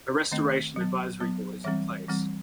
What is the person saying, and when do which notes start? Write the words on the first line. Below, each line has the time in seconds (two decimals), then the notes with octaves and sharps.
A Restoration Advisory Board is in place.
0.32 D#3 A3 C4 D#5
0.76 F#3 B3
1.20 F#3 B3
1.64 E3 G3 C4 E5
2.09 E3 G3 C4